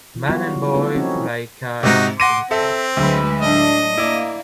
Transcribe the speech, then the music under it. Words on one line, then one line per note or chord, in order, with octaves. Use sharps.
Man and boy fly kite in park.
E3
F#3 G3 B3 F4 F#4
E3
A3 B3 D4 F4 A4 B4
F3 C4 C#4 D#4 F#4 C#5
E3
G#2 C3 D#4 F#4
F#5 C6 D6 A#6 D#7
C4 A4 E5
D2 F#3 G#3 B4
A2 F#3 D4 D#5
A#3 E4 D5